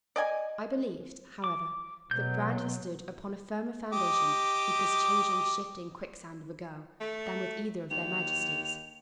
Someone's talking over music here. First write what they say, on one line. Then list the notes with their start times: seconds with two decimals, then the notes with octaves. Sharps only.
I believed, however, that Brandon stood upon a firmer foundation with this changing, shifting, quicksand of a girl than with either of their majesties.
0.16 D5 D#5 G#5
1.44 D6
2.11 B2 F#3 G6
3.93 G4 D#5 D6
7.00 A3
7.90 D#2 F7